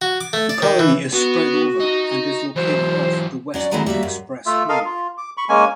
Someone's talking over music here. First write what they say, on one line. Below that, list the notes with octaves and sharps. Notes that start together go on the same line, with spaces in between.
The colony is spread over and is located off the Western Express Highway.
F#4
D6
A3
D5
D#3
E3
B3 F#4
D#4
E3 F#3 C5
F#3 C#4 D5
D#3 F#3 G#3 A3 C4 E4
G3 A#3 F#4 E5
F#2
A3 F4 E5
A4 A#4 D#5 F5
F4
D6
B5 C#6
G#3 A#3 C#4 G#5